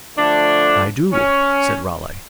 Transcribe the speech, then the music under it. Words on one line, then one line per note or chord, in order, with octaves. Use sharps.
"I do," said Raleigh.
D3 F3 A3 D4
C#4